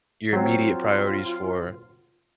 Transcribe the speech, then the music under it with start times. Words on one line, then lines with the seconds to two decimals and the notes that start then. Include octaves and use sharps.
Your immediate priorities for,
0.33 F#3 C4 F4